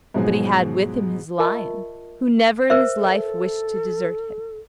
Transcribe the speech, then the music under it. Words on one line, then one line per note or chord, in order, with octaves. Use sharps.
But he had with him his lion, who never in his life wished to desert him.
G#2 B2 F3 F#3 G#4
F4 A#4 D#5 E5 A5 C#6
A#4 C5 E5
A4